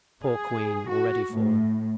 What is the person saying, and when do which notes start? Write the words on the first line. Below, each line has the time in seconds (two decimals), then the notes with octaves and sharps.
Poor queen, already fallen!
0.24 G#4
0.89 F#4
1.31 A2